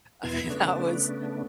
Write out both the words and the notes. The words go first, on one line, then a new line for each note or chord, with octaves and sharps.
I mean, that was,
E2 B2 B3 E4 C6 G#6
C#3 A3 B3 D4